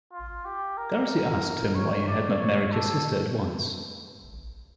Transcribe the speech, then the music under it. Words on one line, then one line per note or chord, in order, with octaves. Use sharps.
Darcy asked him why he had not married your sister at once.
F4
G4
A#4
C#5
D5
C#5
A4